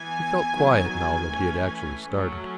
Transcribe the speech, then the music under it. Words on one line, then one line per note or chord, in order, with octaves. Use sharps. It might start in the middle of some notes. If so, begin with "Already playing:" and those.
He felt quiet now that he had actually started.
Already playing: E3 B3 G#5
D#3 F#3 B3
E3 A3 C#4
F#3 A3 C#4